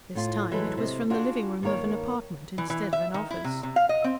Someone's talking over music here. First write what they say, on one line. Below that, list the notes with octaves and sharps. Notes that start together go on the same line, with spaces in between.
This time, it was from the living room of an apartment instead of an office.
A2 F4
E3 F#3 G#3 A4 B4
C3 D#5
D4 F4 F#4 G#4
G2 D#3 A#3 A#4 C#5
E3
E3
E5
D#3
E4
C3
C3
F5
D#5
C4